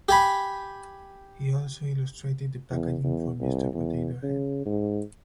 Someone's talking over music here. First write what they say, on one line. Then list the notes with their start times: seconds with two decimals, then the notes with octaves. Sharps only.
He also illustrated the packaging for Mister Potato Head.
0.09 G4 G#5 B5
2.71 E2
3.04 E2
3.41 C2
3.74 E2
4.23 C#3
4.65 G#2